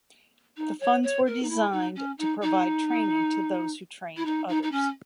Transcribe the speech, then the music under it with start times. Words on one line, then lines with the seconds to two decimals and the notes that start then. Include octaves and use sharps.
The funds were designed to provide training to those who trained others.
0.57 D#4
0.80 C#5
1.03 C#5
1.26 A#4
1.42 D#4
1.49 E4
1.72 D#4
1.95 C#4
2.18 D#4
2.41 D#4
4.17 E4
4.25 D#4
4.48 D#4
4.63 D#4
4.71 C#4